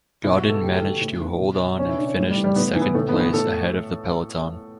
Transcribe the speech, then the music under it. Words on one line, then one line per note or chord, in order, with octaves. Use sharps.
Gaudin managed to hold on and finish in second place ahead of the peloton.
B2 E4
F#4
A4
A2 G4
A4
E3
F#4
A2 E4
E3
B2
B2 C#4
E4
D4
C#4
A2 G3
G3
E3
G3
A2 B3
E3
B3
A2 A3
B3
E3
B3
A2 A4